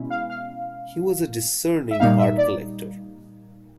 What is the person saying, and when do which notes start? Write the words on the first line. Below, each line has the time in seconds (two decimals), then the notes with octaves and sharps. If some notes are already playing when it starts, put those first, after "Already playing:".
He was a discerning art collector.
Already playing: B2 G#3 C#4 E4
0.10 F5
0.30 F5
1.91 E5
2.00 A#2 G3 A#3 D#4 F5
2.19 E5
2.38 D5